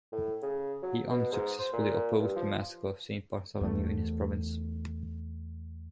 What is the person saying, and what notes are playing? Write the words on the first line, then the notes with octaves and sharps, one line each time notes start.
He unsuccessfully opposed the massacre of Saint Bartholomew in his province.
A2
C#3
F#3
B2
G#2
C5
A#2
G2
F3
E2 A3